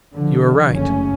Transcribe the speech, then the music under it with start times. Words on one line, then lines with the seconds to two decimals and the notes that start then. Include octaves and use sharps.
You are right.
0.14 D3 F3
0.70 F#1 C#3 A3 C#4